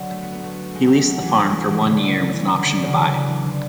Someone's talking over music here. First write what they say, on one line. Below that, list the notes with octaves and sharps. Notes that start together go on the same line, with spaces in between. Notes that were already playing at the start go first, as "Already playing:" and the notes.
He leased the farm for one year with an option to buy.
Already playing: D3 F#3
A3
B3
B3
A3
G#3
A3
G#3
F#3
E3
A3
G#3
F#3
E3
C#3
D3
E3
F#3
E3
D3
F#3
C#3
D3 E3
E3
E3
D3